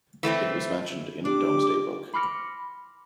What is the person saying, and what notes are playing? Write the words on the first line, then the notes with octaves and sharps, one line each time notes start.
It was mentioned in Domesday Book.
E3 A3 B3 C4
D4 G4 D6
B5 C6 D6 F6 A#6 C#7